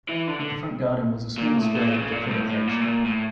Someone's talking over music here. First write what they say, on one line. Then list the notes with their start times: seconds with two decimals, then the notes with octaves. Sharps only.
The front garden was a small square with a privet hedge.
0.09 E3
0.27 D3
0.40 D3
1.38 A#2
1.57 A2
1.75 A#2
1.93 C#3
2.12 A#2
2.26 G2
2.31 A2
2.49 A2
2.67 A#2
2.82 A2
2.85 A#2
3.04 A2